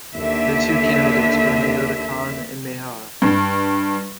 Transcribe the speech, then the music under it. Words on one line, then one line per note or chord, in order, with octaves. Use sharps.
The two candidates were Naoto Kan and Maehara.
D#2 D3 E5
G2